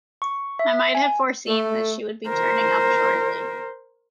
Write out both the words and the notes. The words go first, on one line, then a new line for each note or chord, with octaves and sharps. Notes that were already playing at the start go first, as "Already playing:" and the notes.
I might have foreseen that she would be turning up shortly.
C#6
E5
G#5
A3
A#4 C5